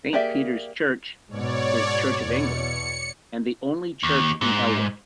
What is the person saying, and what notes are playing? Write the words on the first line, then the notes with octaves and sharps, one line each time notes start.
Saint Peters church is Church of England and the only church in Elwick.
A#3 G4 G#4 D5 E5
G#2 B2 C#5 D5
E2 B2 C#7
D#2
G#2